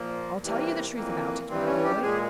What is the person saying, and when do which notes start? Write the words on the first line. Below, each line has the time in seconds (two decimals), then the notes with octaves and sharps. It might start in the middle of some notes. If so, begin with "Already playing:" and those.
I'll tell you the truth about it, my boy.
Already playing: A#2 F3 A#3
0.43 C3 E3 G3 A#3
0.96 F2 E3 A#3
1.49 G2 E3 G3 C4
1.67 C#4
1.84 G4
2.02 A#2 G#3 G#4